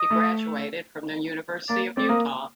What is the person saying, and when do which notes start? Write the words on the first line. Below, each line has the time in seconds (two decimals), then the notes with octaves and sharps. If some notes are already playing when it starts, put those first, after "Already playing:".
He graduated from the University of Utah.
Already playing: D#5
0.10 A3
1.69 A#3 D5
1.97 C4 D5
2.08 A#3 D#5